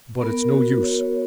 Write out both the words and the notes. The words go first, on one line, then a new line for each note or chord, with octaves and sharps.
But it's no use.
B3 A#4
F#4
B3 C#5